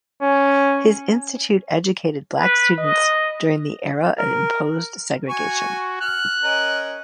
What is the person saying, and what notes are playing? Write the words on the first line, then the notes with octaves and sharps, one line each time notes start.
His institute educated black students during the era of imposed segregation.
C#4
B4
D#5
A#4
F#4 G#5 C#6
F6 F#6
C#4 A#4 D#5